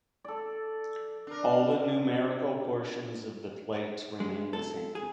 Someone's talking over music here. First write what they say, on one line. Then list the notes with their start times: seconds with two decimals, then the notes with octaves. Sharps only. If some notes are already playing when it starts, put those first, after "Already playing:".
All the numerical portions of the plate remain the same.
0.24 A4 D5
1.27 D4 A#4
4.20 G#3
4.53 A4
4.95 G#4